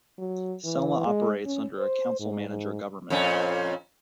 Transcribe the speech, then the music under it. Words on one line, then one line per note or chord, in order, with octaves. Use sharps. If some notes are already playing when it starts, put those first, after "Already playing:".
Selma operates under a council-manager government.
F#3
E3
G#3
C#4
C5
G#2
G#2
F2 A#2 C#4